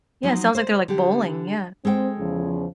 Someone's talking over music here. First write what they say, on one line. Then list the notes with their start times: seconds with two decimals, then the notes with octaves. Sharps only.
Yeah, sounds like they're, like, bowling, yeah.
0.23 F3 F#3 D#4
0.55 C5
0.88 D3 G4
1.85 G#3 C4 A4 G5
2.19 E2 C#3 F3